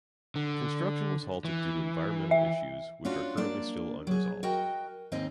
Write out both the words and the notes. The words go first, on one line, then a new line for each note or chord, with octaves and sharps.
Construction was halted due to environmental issues, which are currently still unresolved.
D3
E3
E5
C#4 D4 F4 F#4
A#3 D4 D5
F#3 G#4
F#4 A#4 D#5 G5
D#2 G#2 C4 D#4 D#5